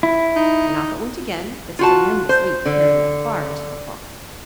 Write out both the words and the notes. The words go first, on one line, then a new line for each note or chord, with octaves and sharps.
Then off it went again, its tremendous leap carrying it far into the fog.
E4
D#4
F4 F#4 A5
C5
D3